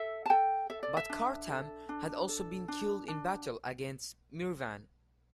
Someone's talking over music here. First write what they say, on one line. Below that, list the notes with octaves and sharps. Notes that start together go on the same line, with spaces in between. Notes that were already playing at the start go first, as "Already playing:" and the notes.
But Kartam had also been killed in battle against Mirvan.
Already playing: A4 E5
A5
A4 G5
A4 E5
D5
E5
D4
A4
D4
A4
D4
D4